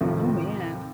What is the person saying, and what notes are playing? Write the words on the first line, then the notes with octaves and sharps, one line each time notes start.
Oh man.
D#2 A2 C3 D#3 F3